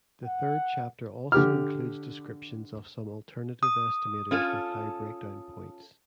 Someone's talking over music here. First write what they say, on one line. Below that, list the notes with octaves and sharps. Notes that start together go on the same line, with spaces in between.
The third chapter also includes descriptions of some alternative estimators with high breakdown points.
F#5
D3 G4 F6
D#6
C#4 F4 A4